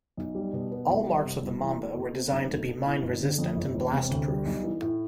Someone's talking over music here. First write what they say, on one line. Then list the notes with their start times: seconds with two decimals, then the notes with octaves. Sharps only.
All marks of the Mamba were designed to be mine-resistant and blastproof.
0.17 B1
0.35 G3
0.53 B2
0.71 B3
0.89 C2
1.07 G3
1.25 C3
1.43 C2
1.60 E2
1.79 A3
1.96 B2
2.14 C4
2.32 B1
2.49 A3
2.67 B2
2.85 E4
3.03 G1
3.21 D3
3.38 F2
3.56 G1
3.74 E1
3.92 C3
4.10 D2
4.28 G3
4.45 B1
4.63 E3
4.82 A2